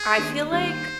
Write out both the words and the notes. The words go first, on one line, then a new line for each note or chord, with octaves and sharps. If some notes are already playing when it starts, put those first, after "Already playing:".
I feel like,
Already playing: G#4
D#2 D#3 B3 D4
D#2 D#3 G3 D4 C5